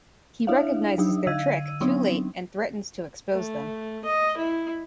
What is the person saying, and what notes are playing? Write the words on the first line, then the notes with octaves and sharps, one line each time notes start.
He recognizes their trick, too late, and threatens to expose them.
D4 E4 C#5 E5 F5
F#3 D4 D#4
D3 F5 E6 G#6 D#7
F#3 B3 C4 D4 D#4
A3
D#5
E4